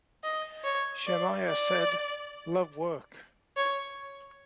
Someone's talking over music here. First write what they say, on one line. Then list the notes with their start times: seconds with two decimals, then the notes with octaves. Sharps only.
Shemaiah said: Love work.
0.23 D#5
0.65 C#5
1.07 D5
1.49 D5
3.56 C#5